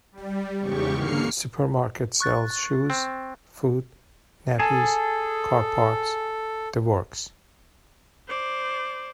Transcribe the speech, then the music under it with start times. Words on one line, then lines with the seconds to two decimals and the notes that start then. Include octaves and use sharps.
This supermarket sells shoes, food, nappies, car parts... the works!.
0.12 G3
0.60 E2 G#2 C#3 G4 C#6
0.93 D3 A#3 F6 C7 C#7
2.20 C#6 F#6 A6
2.90 C4
4.60 G#4 A4 G#5 A5
8.28 C5 D5